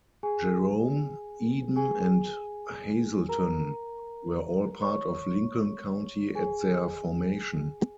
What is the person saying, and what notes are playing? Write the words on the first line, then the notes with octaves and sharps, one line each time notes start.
Jerome, Eden, and Hazelton were all part of Lincoln County at their formation.
G#4 G#5
G#4 G#5
A#4 A#5
C#5 C#6
G#4 G#5